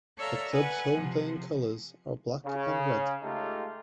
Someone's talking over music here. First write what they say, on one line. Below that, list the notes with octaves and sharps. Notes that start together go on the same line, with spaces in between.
The club's home playing colours are black and red.
A4 C#5 D5 E5 F5 A#5
B4 F#5 G#5
C3 F3
C#3
G#3 A3 D#4 F4 G4 A4